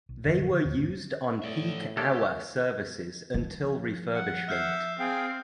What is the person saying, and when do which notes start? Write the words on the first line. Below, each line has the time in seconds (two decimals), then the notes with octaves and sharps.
They were used on peak hour services until refurbishment.
0.09 B1
0.24 G1 F2 C3
0.36 F1 B2 D3 A#3
0.50 D3
0.65 D#2 D3 C#4
0.77 E1 G#2 D3 A3
1.42 A2 D5 E5
1.97 A#3 D4 G4 A4 C#5 E5
3.34 F3
4.15 F#5
4.49 E5 F6 G6 C7
4.99 C4 G#4 F5 G5